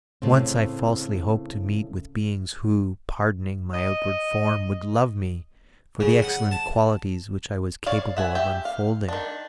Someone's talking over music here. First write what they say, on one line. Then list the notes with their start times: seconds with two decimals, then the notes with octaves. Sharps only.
Once I falsely hoped to meet with beings who, pardoning my outward form, would love me for the excellent qualities which I was capable of unfolding.
0.22 A2 C#3 C4
3.74 D#5
6.00 C#3
6.22 F#5
6.51 A5
7.86 C#5 D5 F5
8.17 E5 F#5 G#5
8.35 G4 E5
8.65 F5
9.08 D#3 D4